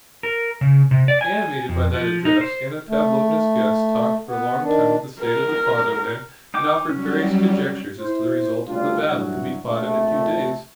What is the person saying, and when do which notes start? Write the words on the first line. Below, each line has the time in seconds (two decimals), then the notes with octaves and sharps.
Animated by that address Anna Pavlovna's guests talked for a long time of the state of the fatherland and offered various conjectures as to the result of the battle to be fought in a few days.
0.23 A#4
0.61 C#3
0.91 C3
1.08 D5
1.21 G#5
1.69 F2
1.94 F3
2.25 D#4
2.41 C5
2.89 A3
4.28 B3
4.64 D#3 D4
5.21 A#4
6.54 D#4 G5 D6
6.89 F#3 G3 C#4
8.00 E4 C5
8.67 G1 D2 C#3 G3 D4 F4
9.07 G2 E3 F#3
9.65 A#1 F2 A3